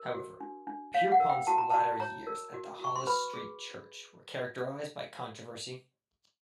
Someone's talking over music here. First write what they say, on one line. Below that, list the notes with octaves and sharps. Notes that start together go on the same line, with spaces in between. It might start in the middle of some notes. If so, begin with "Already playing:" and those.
However, Pierpont's latter years at the Hollis Street Church were characterized by controversy.
Already playing: A#4
F#4
D4
D4
C#5 F5
F#5
A#4
G5
F#4 A5
A#5
F#4 A5
C#5 A#5
A#4
F#4
F#4 C#6
C6
B4 B5
G#4